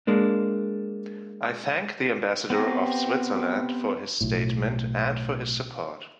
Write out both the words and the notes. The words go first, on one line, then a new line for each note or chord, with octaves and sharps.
I thank the Ambassador of Switzerland for his statement and for his support.
G#3 A#3 D4
B3 C4 G4 A#5
B1 A2